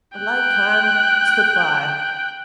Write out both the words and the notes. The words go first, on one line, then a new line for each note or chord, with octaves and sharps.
A lifetime supply.
G5 F#6